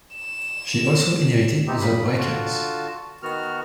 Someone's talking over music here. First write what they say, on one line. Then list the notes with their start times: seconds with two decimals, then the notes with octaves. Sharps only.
She also inherited The Breakers.
0.16 E7
1.67 C3 B3 C4 D#4 G4
1.80 C#3 B5
2.18 D3 F4 F#4 A5
3.23 D#3 B3 F#4 F6